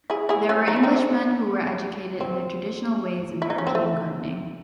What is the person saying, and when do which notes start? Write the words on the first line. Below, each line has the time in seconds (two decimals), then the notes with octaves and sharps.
They were Englishmen who were educated in the traditional ways of European gardening.
0.10 E4 G#4
0.29 E4 G#4
0.49 A3 C#4
0.68 D#4
0.76 E4
0.83 C4 D#4
2.21 C4
3.42 E4
3.50 D#4
3.58 C#4
3.67 C4
3.75 A3